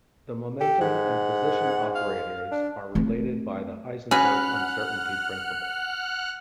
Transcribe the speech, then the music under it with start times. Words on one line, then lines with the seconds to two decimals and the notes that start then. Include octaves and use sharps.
The momentum and position operators are related by the Heisenberg uncertainty principle.
0.61 G4 A4
0.81 G#2 F#5
1.95 F5
2.51 D4
2.95 A3 C4
4.11 C#4 F#4 G#4 B4 F#5 F6 F#6